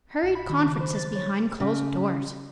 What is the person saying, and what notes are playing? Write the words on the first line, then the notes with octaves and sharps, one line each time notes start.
Hurried conferences behind closed doors!
A#1
B5
D#3
C#3
C5
A6
C#5
C#3